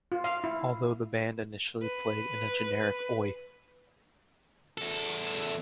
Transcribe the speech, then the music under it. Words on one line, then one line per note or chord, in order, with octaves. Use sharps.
Although the band initially played in a generic Oi!
F4
F5
E4
B4
E2 A4